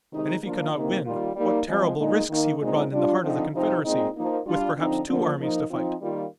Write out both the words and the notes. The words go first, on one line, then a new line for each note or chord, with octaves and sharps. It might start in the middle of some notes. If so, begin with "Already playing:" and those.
And if he could not win what terrible risks he would run in the heart of the Confederacy, with perhaps two armies to fight!
C3 D#3 G#3 D#4
F3 A#3 D4 F4
C3 D#3 A#3
D#3 G3 A#3 F4
G3 A#3 D#4
F3 G#3 C4
A#2 G#3 D#4
D#3 A#3 D#4
A#2 G#3 C4 D#4
G3 D4 F4
D3 F3 C4 D#4
C3 F3 C4 D#4
A#2 G#3 C4 D#4
F3 A#3 D#4
G3 D4 F4
D3 F3 C4 D#4
D3 F3 A#3
F3 A#3 D#4
F3 C4 D#4
D#3 G3 A#3 F4